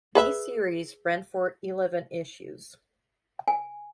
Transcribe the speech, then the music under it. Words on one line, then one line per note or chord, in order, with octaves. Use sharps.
This series ran for eleven issues.
G#4 B4 E5
G#5